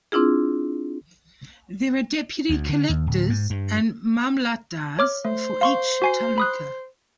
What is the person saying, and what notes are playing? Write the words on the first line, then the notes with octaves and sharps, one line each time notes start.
There are Deputy Collectors and Mamlatdars for each Taluka.
C4 D4 E4 F4 G#4
D2
D3
D#2
D1
G#2
G2
C#5 D6 F6
A3 C5
F5 C6 C#6
F#4 G#5 C7
B5 D#6 F#6